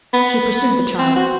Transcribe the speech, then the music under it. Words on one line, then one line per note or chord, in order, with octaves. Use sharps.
She pursued the child.
B3
C4
F#4